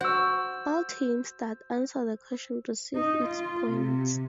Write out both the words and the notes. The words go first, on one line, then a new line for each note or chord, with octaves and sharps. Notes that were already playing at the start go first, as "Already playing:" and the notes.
All teams that answer the question receive its points.
F#4 C5 E6
D#4
F4
C3